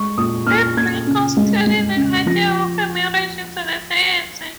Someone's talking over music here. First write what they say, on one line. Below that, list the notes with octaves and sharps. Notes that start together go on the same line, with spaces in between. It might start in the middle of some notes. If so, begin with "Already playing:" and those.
It brings out clearly the idea of her marriage to the deity.
Already playing: G#3 C#6
A#2 D#6
A#2 F6
A#2 G#6
C#3
G#3
G#3
C#3
F3 A#6